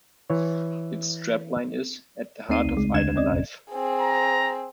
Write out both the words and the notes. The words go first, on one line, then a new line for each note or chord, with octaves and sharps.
Its strapline is: "At the heart of island life".
E3 C#5
D#2 A3 C4 D#4 C7 D#7
C2
C#3 G#3
D#2 D3 D4 G#6 E7
C4 C#4 D5 D#5
A1 F2 C3
C4 G#4
A#5